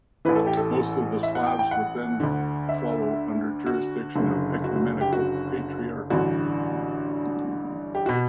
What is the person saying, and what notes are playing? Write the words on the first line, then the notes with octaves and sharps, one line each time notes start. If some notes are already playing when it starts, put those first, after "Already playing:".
Most of the Slavs would then follow under jurisdiction of the Ecumenical Patriarchate.
A1 A2 E3 B4
A4
G4
A4
E5
F#5
G5
G5
F#5
D2 D3
E5
F#4
F#1 F#2 D3
F#4
F#4
G4
F#4
A1 G2 D3 F#4
G4
B2 F#4